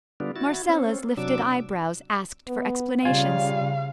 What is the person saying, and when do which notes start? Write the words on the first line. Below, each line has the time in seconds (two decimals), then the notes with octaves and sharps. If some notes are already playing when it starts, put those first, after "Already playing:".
Marcella's lifted eyebrows asked for explanations.
0.20 D3 G3 B3 D4 F4
0.36 E4 F#4 A6
0.69 C4 C#4
1.17 C3 F#3 D4 D6 E6
2.48 B3
3.05 C#3 G3 F4 F5 G#5